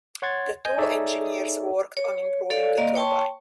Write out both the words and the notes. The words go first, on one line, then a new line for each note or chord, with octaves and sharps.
The two engineers worked on improving the turbine.
C#5 F#5 C6 G#6 A6
D#5 G#5 G6
D#4 G#4 A4 C#5 D5 E5
C#5
A4 C#5 D5 F5
A#3 D5 D#5 F5
C#5 G5 A5 C6 C#6